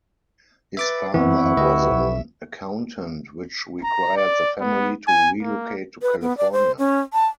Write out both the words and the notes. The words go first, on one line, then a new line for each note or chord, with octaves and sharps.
His father was an accountant which required the family to relocate to California.
B4 E5 D6 A6
F#2 E3 B3 C4 E4 F#5 C#6
D2 G4 B4 D#5 E5
B1
A#5
D5
B3
G#5
A#3
B4
B3
D5
C5
C#4
A5